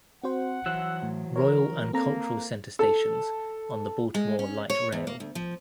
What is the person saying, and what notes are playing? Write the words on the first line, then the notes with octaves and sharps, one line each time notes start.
Royal and Cultural Center stations on the Baltimore Light Rail.
C4 F#4 C5 F#5
E3 F#3 C5 E6 F#6
A2
A#4 C#5
A#3 C4 A4 A#5
A4
G#3
C#4
C#5
E2
A#3
D2
F3